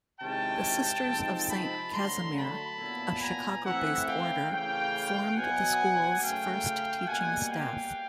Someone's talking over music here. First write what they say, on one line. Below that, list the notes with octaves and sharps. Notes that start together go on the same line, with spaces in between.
The Sisters of Saint Casimir, a Chicago-based Order, formed the school's first teaching staff.
C3 D#3 G#3 C#4 E4 G5 A5
C3 F3 G#3 C4 D#4
A5 B5
D3 F#3 A3 A#5 C6
A5 B5
A#2 F#3 B3 E4
G#5 A#5
E3 A3 C4 E4 E5 F#5
F5 G5
C#3 E3 A3 C#4 F5 G5
B2 F#3 B3 F#5 G#5
C#3 F#3 A3 F5 G5
B2 G3 A#3 F#5 G#5
F5 G5